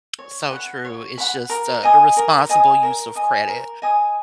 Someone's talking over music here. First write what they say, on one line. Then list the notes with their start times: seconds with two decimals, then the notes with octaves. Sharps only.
So true, it's just, uh, the responsible use of credit,
0.19 C#5
0.51 F#5 B5
0.85 C#5
1.18 F#5 B5
1.50 A#4
1.83 D#5 G#5 D#6
2.17 A#4
2.49 D#5 G#5 D#6
2.83 A#4
3.15 D#5 G#5 D#6
3.48 A#4
3.82 D#5 G#5 D#6